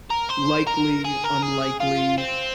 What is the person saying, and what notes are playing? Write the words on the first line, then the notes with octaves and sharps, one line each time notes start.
likely, unlikely?
A#4
C5
A#4
G#4
A#4
G#4
F4
C4